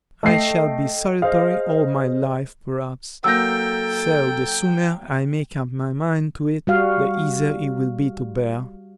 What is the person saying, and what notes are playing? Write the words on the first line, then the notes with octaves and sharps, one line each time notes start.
"I shall be solitary all my life, perhaps; so the sooner I make up my mind to it, the easier it will be to bear."
A3 A4 D#5 G5 C7
G#4 C5 D#5 F5
F#3 A#3 A4 G5 E6 G6 A#6
G3 F#4 F5